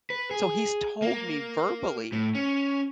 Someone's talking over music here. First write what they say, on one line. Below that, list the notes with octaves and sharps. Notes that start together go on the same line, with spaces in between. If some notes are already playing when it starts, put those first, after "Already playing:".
so he's told me verbally,
B4
G#4
A#3
A2
C#4